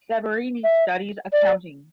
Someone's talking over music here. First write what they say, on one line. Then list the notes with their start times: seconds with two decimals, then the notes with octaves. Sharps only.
Severini studies accounting.
0.63 E5
1.32 D5